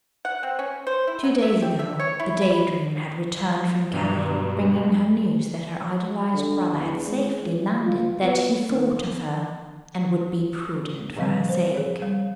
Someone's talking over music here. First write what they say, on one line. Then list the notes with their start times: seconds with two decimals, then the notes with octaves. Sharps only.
Two days ago the DAY DREAM had returned from Calais, bringing her news that her idolised brother had safely landed, that he thought of her, and would be prudent for her sake.
0.25 F#5
0.43 C4
0.59 C#4
0.87 C5
1.07 E4
1.24 F#3
1.42 E5
1.62 G4
1.79 E5
1.99 C#5
2.20 E4
2.42 B5
3.93 G2 B2 F#3 A#5
6.33 D3
6.76 E2
7.07 G#3
7.42 E3
7.83 F4
8.22 B3
8.69 D#3
11.17 A#2 C#3 F3 G3 C4
11.49 C5
11.74 G#4 C#5
12.02 G3